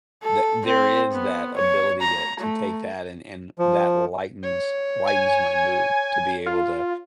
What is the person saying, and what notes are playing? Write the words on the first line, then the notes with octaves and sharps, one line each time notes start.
the there is that ability to to take that and and that lightens lightens my mood to be able to
A4
C4
B3
C#5
A#5
A3
F3
C#5
G#5
F4